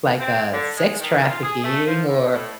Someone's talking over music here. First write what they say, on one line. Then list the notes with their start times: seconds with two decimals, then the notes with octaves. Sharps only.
like, uh, sex trafficking or
0.20 C4
0.53 D3
0.77 G#3
1.00 D#3
1.29 F4
1.43 G#4
1.64 A3
1.86 F3
2.07 D3
2.34 A2